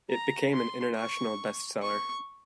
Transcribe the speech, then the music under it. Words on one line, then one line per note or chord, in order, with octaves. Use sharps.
It became an international bestseller.
A#5
C6
C#6
C#6